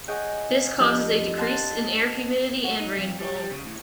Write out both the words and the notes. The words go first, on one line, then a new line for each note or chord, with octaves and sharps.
This causes a decrease in air humidity and rainfall.
G#4 C#5 D#5 F#5 G5
F2 D4 G4 D#5 G6
C5 F#5 A5 C6
F#4
D#4
F2
G3
G3
C#3
A2